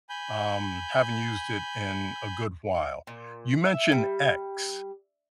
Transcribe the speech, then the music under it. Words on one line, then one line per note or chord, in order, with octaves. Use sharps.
Um, haven't used it in a good while. You mentioned X.
G#5 B5 G6
A#2
E5
G3